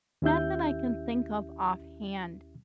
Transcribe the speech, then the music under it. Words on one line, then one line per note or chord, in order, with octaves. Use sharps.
Not that I can think of offhand,
D#2 C#4 E4 G4 E5 G6